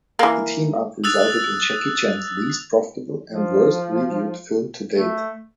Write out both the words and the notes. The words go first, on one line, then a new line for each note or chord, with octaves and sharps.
The team-up resulted in Jackie Chan's least profitable and worst reviewed film to date.
E3 A#3
D#6 E6 F#6 A6 F7
F3
A3